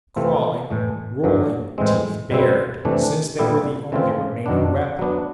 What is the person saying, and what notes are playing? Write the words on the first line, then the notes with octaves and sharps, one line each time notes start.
Crawling, rolling, teeth bared, since they were the only remaining weapon.
C3 E3 A3 C4 F4
A2 E3 A3
G2 D3 F#3
A2 E3 G#3 C4
B2 G3 C4 E4
C3 E3 A3 D4
A#2 G3 B3 E4 G4
C#3 E3 A3 C4 F4
F#2 D#3 F#3 B3 D4
F#3 B3 D4